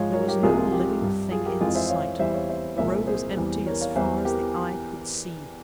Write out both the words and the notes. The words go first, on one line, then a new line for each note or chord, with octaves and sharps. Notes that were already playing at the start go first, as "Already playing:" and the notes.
There was no living thing in sight, the road was empty as far as the eye could see.
Already playing: G#2 F3 G#3 C#5 F5
A#4 C#5
G4 A#4
C2 C3 F3 G#3 F4 G#4
F4
G4
G2 G3
F4 G#4
G4 A#4
F2 E3 G#3 F4 G#4
C5 E5
C#5 F5
E2 E3 G3 C5 E5
C#5 F5
C5 E5
C2 A#2 F3 G#3 C5 E5
G#4 C5
E2 E3 G3
A#4 C#5
C#5 F5
E2 E3 G3 C5 E5
G4 A#4